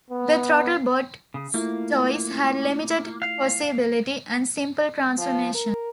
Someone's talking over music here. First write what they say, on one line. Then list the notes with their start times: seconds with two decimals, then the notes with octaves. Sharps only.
The Throttlebot toys had limited poseability and simple transformations.
0.10 B3
1.34 C#3
1.54 A3 A#3 E4 F4
3.22 F5
5.18 F3
5.54 A#4